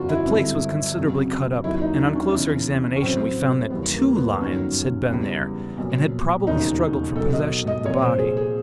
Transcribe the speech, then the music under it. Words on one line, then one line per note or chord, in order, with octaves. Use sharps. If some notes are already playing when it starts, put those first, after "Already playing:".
The place was considerably cut up, and on closer examination we found that two lions had been there and had probably struggled for possession of the body.
Already playing: F#1 E2 C#3 F#3 F4 F#4
E4
G#1 G2 D3
F2 C#3 F#3
D#2 D#3 F#3 E4
D#4
D4
C#4
E2 C#3 E3
C#4
A1 A2 F#3 C4
D#2 C#3 E3 G3 B3
A#3
B3
G1 F#2 D#3 F#3 C#4
E2 C#3 E3 G3
B1 A#2 F3
E1 D#2 C#3 F3 D#4
B1 B2 F#3 A4
D#5
D#5
C2 A#2 F3 C#5
C5
G#4
G#4